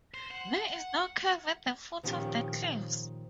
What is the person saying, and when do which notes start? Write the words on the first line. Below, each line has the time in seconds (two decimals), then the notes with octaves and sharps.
There is no cave at the foot of the cliffs.
0.14 C5
0.31 F#5
2.03 A#2 D#3 F3 C#4 G4